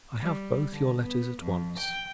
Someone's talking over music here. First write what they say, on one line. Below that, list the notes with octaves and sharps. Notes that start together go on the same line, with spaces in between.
I have both your letters at once.
G3
D3
B3
F2
G5